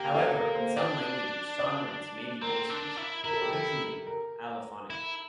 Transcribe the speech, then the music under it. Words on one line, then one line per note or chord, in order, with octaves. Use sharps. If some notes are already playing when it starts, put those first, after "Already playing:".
However, in some languages sonorants may be voiceless, usually allophonically.
Already playing: A#3 G4
A4
A#4
C5
D4 D5
D5
C4 A#4
D4
E4
E4 A#4
A4
G4
E4 A4
A#4
E4